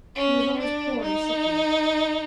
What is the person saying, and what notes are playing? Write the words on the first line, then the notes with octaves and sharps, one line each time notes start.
He was always poor and sickly.
C#4
D4
D#4